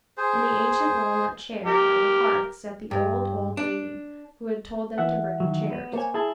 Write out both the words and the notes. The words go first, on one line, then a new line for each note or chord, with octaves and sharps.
In the ancient walnut chair by the hearth sat the old, old lady who had told them to bring the chairs.
G#4 C5
G4 A#4
G2
D4
E3 E5 F#5
D#3 F#3
B3
A#3 C5 C#5 G#5
E4 G#4 A5